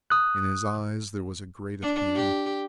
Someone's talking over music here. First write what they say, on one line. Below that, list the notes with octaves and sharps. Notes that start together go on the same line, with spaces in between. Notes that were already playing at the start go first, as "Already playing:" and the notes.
In his eyes there was a great appeal.
D#6 F#6
D4
G4